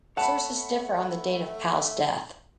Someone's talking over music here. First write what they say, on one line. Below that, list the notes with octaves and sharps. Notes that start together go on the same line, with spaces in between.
Sources differ on the date of Powell's death.
A3 C#5 F#5 A5 B5